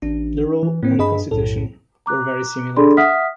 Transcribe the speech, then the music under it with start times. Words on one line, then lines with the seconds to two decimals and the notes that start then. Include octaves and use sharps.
The Rule and Constitution were very similar.
0.02 A1 D4
0.63 E3
0.83 A2 A#3 C4
0.99 G2 G#4 D#5 B5
1.31 B1 F#2 A2 A4
2.06 A#5 D6 F#6
2.77 D4 G#4 A4 D5 B5 C6
2.97 E5 F#5 D#6 F6 B6